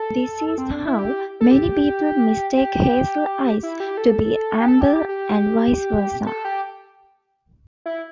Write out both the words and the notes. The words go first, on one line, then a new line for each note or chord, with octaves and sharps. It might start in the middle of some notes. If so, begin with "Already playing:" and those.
This is how many people mistake hazel eyes to be amber and vice versa.
Already playing: A4
C4
D4
E4
G4
A4
G4
G4
G4
E4
G4
A4
G4
A4
G4
G4
G4
A4
G4
E4